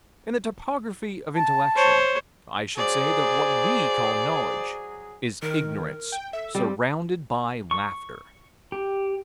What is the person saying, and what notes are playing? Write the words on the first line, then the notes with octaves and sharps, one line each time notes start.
In the topography of intellection, I should say that what we call knowledge is ignorance surrounded by laughter.
A5
C5 C#5
F#3 G#4 C5 D5
D#3 A#4
G5
A4 E5
G3 C4
C#6
G4